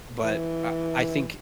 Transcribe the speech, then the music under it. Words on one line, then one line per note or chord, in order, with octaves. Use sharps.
but, I I think,
E3